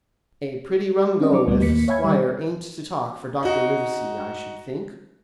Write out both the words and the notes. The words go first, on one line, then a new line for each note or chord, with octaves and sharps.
"A pretty rum go if squire ain't to talk for Dr. Livesey, I should think."
C4 C#4 D#4 D5 D#5
F#3 C#6 D6
C#2 A2 G3 B3
D#2 A#3 B6 C#7
C#5 E5 F5 G#5 B5 G#6
D#3 G3
D#4 F#4